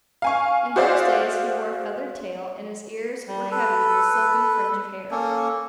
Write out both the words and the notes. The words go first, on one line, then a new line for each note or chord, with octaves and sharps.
In those days he wore a feathered tail, and his ears were heavy with a silken fringe of hair.
F5 G#5 C#6
F#4 G#4 C5 D5 E5 F5
G3
A4 B4
A#3 C#4 A4